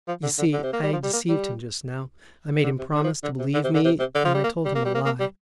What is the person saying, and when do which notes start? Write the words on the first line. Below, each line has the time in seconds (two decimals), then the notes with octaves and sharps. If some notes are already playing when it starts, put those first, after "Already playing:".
You see, I deceived him just now, I made him promise to believe me and I told him a lie.
0.08 F3
0.23 D3
0.38 D3
0.53 D3
0.63 C3
0.73 A#3
0.83 G3
0.93 F3
1.03 G3
1.13 A#3
1.29 G3
2.64 D3
2.79 C3
2.94 D3
3.04 F3
3.23 D3
3.39 C3
3.54 D3
3.64 C3
3.74 D3
3.85 C3
3.99 C3
4.15 D3
4.25 F3
4.34 G3
4.44 A#3
4.65 G3
4.75 A#3
4.85 G3
4.94 A#3
5.05 A#3
5.20 G3